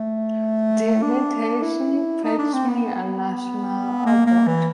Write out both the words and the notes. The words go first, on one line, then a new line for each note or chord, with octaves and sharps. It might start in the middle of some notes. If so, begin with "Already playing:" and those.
The imitation fetched me a national award.
Already playing: A3
D4
E4
D#4
D4
C4
B3
A#3
A#3
E3